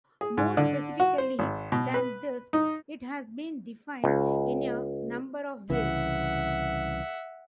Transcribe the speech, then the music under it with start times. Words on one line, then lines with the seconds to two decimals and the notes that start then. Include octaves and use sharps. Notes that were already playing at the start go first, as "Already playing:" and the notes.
More specifically than this, it has been defined in a number of ways.
0.21 G#4
0.37 G#2
0.57 D3
1.00 F#4
1.18 C5
1.39 G#1
1.72 B2
1.94 B4
2.53 D#4
4.04 C#2
5.70 C2 C#3 E3 E5 F#5